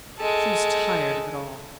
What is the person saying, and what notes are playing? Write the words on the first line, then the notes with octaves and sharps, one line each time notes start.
She was tired of it all.
G#3 A4